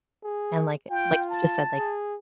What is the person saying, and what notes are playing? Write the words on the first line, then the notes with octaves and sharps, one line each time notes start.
and like like you just said, like,
G#4
F4 G5
A5
G#4